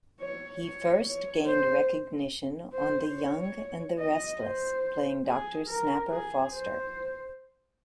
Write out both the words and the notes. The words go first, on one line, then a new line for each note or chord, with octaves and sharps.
He first gained recognition on "The Young and The Restless", playing Doctor Snapper Foster.
C#5
C#5
C#5
C5
C5
C#5
D#5
C5
G#4
A#4
G#4
C5